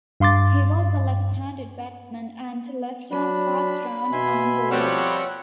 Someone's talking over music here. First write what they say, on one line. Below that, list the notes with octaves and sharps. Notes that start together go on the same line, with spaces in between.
He was a left-handed batsman and left-arm fast round-arm bowler.
G2 F5 C6 D6 A6
F#3 D4 B5
B2 E5 G#5 C6
F3 G3 C4 C#5 F#5